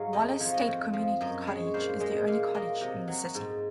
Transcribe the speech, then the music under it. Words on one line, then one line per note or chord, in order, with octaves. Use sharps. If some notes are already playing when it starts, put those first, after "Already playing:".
Wallace State Community College is the only college in the city.
Already playing: G#2 F#3 F5
F2 D#5
F3 C#5
D#5
F2
F3
F#2 D#5
G#3 C#5
A#2 C5
G#3 D#5
A#2 F5
A#3 D#5
C3 D#5
F#3
G#2